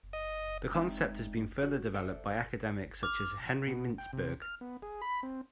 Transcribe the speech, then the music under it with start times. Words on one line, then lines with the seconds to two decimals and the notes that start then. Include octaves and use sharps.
The concept has been further developed by academics such as Henry Mintzberg.
0.13 D#5
0.75 G#3 C4 D4 D#4 E5
1.63 F#4
1.94 A4 C5 D5 E5 F#5
3.03 D6 F6
3.67 B2
3.98 G5
4.13 C3
4.42 F6
4.61 B3
4.82 G#4
5.01 B5
5.23 C4